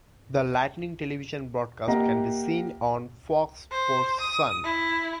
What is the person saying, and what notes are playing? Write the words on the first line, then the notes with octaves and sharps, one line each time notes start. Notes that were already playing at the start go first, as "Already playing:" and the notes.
The Lightning television broadcasts can be seen on Fox Sports Sun.
A#3 G4 D#5 E5 F#5 A#5
C5
D#6
E4